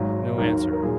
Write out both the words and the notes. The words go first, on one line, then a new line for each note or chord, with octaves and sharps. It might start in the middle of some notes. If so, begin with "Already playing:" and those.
No answer.
Already playing: G#1 G#2 F#3
D#2 D#3 F#3 A#4
A#4
A#2 F#3 G#4